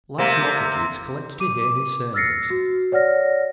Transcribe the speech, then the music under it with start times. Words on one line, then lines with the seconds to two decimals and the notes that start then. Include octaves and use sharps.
Large multitudes collected to hear his sermons.
0.18 C3 A#3
1.40 D6 D#7
1.61 D6
2.14 E6 F6 A6 A#6 C7 C#7
2.50 F#4
2.92 C#5 D5 F#5 F6 A#6